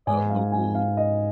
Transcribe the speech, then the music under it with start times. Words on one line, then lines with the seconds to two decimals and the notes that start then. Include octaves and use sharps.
a local
0.07 G#2 G#5
0.30 F5
0.52 G#5
0.75 F5
0.97 D#5